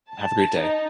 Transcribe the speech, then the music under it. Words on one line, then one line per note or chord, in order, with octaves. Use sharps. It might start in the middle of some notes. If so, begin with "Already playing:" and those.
Have a great day.
A5
D#4